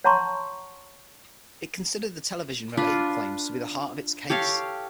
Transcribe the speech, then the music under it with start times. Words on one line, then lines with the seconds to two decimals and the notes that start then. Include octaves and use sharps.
It considered the television-related claims to be the heart of its case.
0.04 C#5 F#5 A5 A#5 C6 C#6
2.77 D4 F4 B4
4.30 G4 A4 C#5 F5